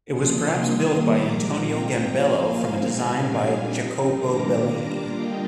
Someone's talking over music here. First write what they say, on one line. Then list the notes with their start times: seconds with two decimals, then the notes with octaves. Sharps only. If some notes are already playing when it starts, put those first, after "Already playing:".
It was perhaps built by Antonio Gambello from a design by Jacopo Bellini.
0.12 C3 F3 A#3 D4 F4 C6 D#6
0.62 D#3 G3 A#3
1.12 A#2 F3 G#3 A#5 D6
1.62 F3 C4 F4 G5 A#5
2.12 F3 A#3 F4 F5 G#5
2.63 D3 F3 G#3 C4 D#4
3.13 A#2 G3 D4
3.64 F3 C4 D#4
4.14 D#3 G3 A#3 D4 A#5 D6
4.64 G3 A#3 D4 F4
5.14 D3 G3 A#3 D4 F4 D#5 G5